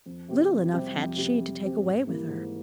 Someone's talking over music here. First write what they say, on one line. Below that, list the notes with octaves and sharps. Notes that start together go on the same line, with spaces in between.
Little enough had she to take away with her.
F2
C3 G3 C4 G4
F2
C3 G3 C4 G4
F2
C3 G3 C4 G4
F2
C3 G3 C4 G4
G#2
E3 G3 A#3 E4
G#2